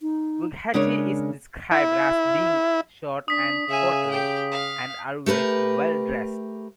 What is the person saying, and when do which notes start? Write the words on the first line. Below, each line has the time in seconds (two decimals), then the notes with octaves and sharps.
Bugatti is described as being short and portly, and always well dressed.
0.01 D#4
0.74 C#3 G#3 D4 A#4 C#5
1.71 E4
3.28 D4 D#6 B6
3.68 C#3 E5 G#5
4.11 G4 G5
4.52 F5
5.26 A3 G4 A#4 B4